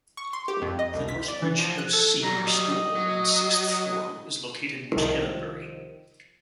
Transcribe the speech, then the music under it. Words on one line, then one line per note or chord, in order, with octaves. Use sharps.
The North Bridge House Senior School and Sixth Form is located in Canonbury.
C#6
C6
G4
F2
D#5
C2
B6
D5
E3
F3
F#6
A4
F#3 G3 A#5
D#5
F#3
C2 D#3 F3